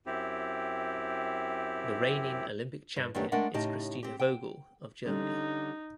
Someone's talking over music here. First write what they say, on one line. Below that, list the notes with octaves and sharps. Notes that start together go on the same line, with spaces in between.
The reigning Olympic champion is Kristina Vogel of Germany.
F#2 C4 E4 G4
G2
F#2 D#3 A3 B3 D4 G4
G#3 A3 D4 A#4 E5 F#5
A2 C#3 D#4 G4 D#5 A5
C4 G4
G5
D3 G3 C#4 D#4